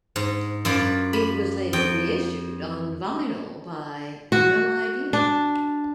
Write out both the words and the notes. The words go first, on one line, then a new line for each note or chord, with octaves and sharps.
It was later reissued on vinyl by No Idea.
G#2
F#2 F4 D5 B5
B5
F2 G5
F#4
D4